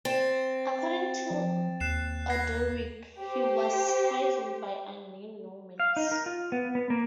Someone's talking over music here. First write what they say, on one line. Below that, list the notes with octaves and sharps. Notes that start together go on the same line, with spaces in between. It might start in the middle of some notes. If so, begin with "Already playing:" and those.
According to Orderic, he was poisoned by unnamed Normans.
C4 A6 E7
F3
D#2 F#6 C7 E7
G#6 A#6 C7
G4 C5
F5
D#4
A#4
F4
B3
B3
A#3